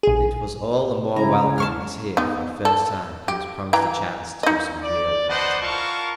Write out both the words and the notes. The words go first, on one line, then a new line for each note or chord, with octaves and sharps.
It was all the more welcome as here, for the first time, he was promised a chance to do some real fighting.
A#1 G#4
C#3 G#3 E4 A#5
A5 C#6 F6
B3 D#4
A4
G4
E3 G5 A#5
D#4 D#5
D5
B4 C5 D5 D#5 F#5 A5
E4 F4 A#4 A5 C#6